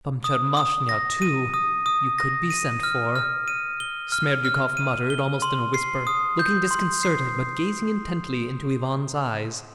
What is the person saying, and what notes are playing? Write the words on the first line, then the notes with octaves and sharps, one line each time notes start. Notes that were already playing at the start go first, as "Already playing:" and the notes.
"From Tchermashnya, too ... you could be sent for," Smerdyakov muttered, almost in a whisper, looking disconcerted, but gazing intently into Ivan's eyes.
D#6
D#6
A#6
D#7
D#6
D#6
A#6
D#7
F6
F6
D#7
G7
F6
F6
D#7
G7
C6
C7
D#6
G6
C6
C7